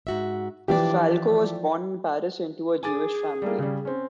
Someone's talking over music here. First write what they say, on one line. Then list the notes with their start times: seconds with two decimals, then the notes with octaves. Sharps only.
Falco was born in Paris into a Jewish family.
0.07 G#2 F#4 E5
0.68 E3 F3 D4 G4 D5
2.83 G#4 G#5 D6 A6
3.42 G3 A3 A#3
3.59 C#3 G3
3.85 C4 C#4